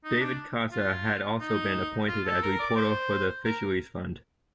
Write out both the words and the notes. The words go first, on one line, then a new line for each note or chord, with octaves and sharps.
David Casa had also been appointed as reporter for the Fisheries Fund.
D#4
D4
F4
D#4
F4
A4
A#4
D5
D5
C5
A#4